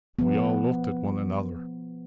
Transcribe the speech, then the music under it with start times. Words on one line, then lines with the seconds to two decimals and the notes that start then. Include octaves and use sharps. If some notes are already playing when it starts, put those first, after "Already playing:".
We all looked at one another.
0.19 F3 B3